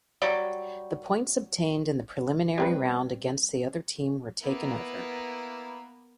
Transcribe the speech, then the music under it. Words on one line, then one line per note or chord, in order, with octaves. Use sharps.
The points obtained in the preliminary round against the other team were taken over.
F#3 G3
G3 C4 B4
A#3 B3 E4 A#4 B4